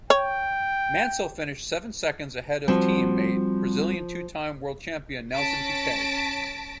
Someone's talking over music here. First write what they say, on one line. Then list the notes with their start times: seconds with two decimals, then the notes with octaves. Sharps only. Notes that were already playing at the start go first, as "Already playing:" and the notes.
Mansell finished seven seconds ahead of team mate Brazilian two-time World Champion Nelson Piquet.
0.10 C#5 G5
2.68 F3 G3 C4 F#4
5.32 C#4 A5 A#6 B6 D7